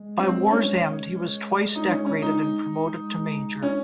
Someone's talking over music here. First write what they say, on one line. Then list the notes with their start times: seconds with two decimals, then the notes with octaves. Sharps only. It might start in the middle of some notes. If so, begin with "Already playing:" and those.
By war's end he was twice decorated and promoted to major.
Already playing: G#3
0.19 C4
0.51 C#4
1.12 G#3
1.75 D#4
1.91 C#4
2.06 C#4
2.22 D#4
3.00 G#3
3.62 C#4